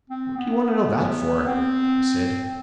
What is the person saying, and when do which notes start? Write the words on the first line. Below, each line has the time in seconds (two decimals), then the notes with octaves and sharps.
"What do you want to know that for?" I said.
0.10 C4
0.37 B3
1.47 C4